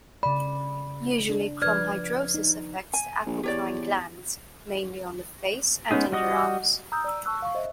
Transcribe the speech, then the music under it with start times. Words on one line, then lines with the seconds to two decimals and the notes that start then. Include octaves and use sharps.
Usually chromhidrosis affects the apocrine glands, mainly on the face and underarms.
0.23 C#3 D5 B5
1.29 D4
1.62 F3 B4 D5 F6 G#6
2.34 D#4
2.93 G#5
3.26 A#1
3.43 E2 G4 C#5 D5
5.91 G#3 B3 C#4 D#4 G#4
6.12 G3 F#4 D#5
6.92 A#5 D#6 E6 G6
7.04 D5 A#5 E6
7.25 A5 C#6 E6 F#6
7.42 F5 C#6
7.55 C5 D#5 E5